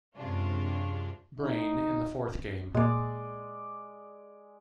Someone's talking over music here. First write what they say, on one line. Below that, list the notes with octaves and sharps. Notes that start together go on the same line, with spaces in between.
Brain, in the fourth game.
F#2 C3 G#3 C#4 D4 F4
D#4
A#2 G#3 A#3 D5